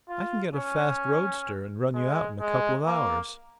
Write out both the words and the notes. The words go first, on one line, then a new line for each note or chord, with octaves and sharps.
I can get a fast roadster and run you out in a couple of hours.
F4
C#4
G#3
G#3
A#3